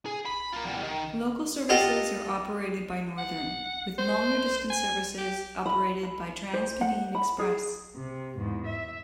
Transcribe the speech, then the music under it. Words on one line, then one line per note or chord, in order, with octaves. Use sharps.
Local services are operated by Northern with longer distance services operated by TransPennine Express.
G#4
B5
A#3 F4
E2 G3
D#3
F4 G4 A4 D#5 F#5
F#5
C5
G#5
G4
B5
B5
C5
F#5
B5
G#4
C3
E2 G#2
E5